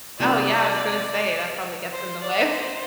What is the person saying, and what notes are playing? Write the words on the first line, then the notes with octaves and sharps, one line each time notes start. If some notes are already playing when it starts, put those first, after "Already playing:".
Oh, yeah, I was gonna say that probably gets in the way of
C2 C3 G3 A#3 F4 D5
C5
D5
C5